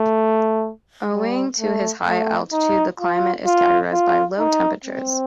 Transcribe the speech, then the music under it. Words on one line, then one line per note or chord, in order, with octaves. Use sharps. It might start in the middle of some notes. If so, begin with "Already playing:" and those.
Owing to its high altitude, the climate is characterized by low temperatures.
Already playing: A3
G3
A3
A3
D#4
F4
F4
F4
D#4
C4